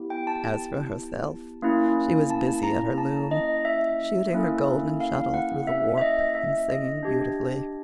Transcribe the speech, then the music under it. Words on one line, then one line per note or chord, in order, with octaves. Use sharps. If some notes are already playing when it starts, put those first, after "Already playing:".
As for herself, she was busy at her loom, shooting her golden shuttle through the warp and singing beautifully.
Already playing: B3 E4 G4
G5
A5
A#3 C#4 E4
A5
A#5
A5
D#5
E5
A#3 C#4 E4 A4
F5
F#5
E5
E5
D#5
E5
D#5
D4 G4